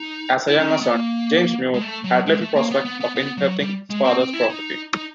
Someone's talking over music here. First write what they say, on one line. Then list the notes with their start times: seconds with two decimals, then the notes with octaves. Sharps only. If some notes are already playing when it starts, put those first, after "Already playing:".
As a younger son James Muir had little prospect of inheriting his father's property.
Already playing: D#4
0.48 E4
0.59 C#4
0.70 C4
0.81 B3
0.92 A#3
1.74 G#3
1.81 A3
2.04 F#3
2.26 G#3
2.41 A3
2.56 A#3
2.71 B3
2.85 B3
3.00 B3
3.16 B3
3.37 F#3
3.59 G3
3.90 G#3
4.04 C4
4.20 C4
4.33 E4
4.49 D#4
4.94 D#4